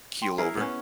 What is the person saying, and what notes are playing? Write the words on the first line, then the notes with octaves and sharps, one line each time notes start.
keel over?
G5 C6
E4 G#4 A#4 C7
B3 C#4